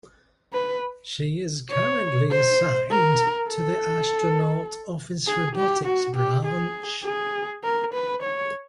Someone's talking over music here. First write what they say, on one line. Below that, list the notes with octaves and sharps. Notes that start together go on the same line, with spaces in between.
She is currently assigned to the Astronaut Office Robotics Branch.
B4
C#5
C5
A#4
A4
G#4
G4
F#4
G4
G#4
G#4
A#4
B4
C#5